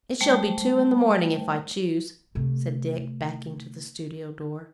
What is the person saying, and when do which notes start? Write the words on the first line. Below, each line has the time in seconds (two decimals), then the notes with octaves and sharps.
'It shall be two in the morning, if I choose,' said Dick, backing to the studio door.
0.21 G3 A3 C5 G5
2.35 C3 A3